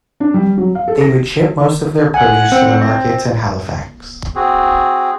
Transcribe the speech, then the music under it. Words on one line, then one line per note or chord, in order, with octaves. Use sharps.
They would ship most of their produce to the markets in Halifax.
D4
G3
F#3
F5
A4
A#6
F#5 G#5
C4
A#6
C4 F#4 G#4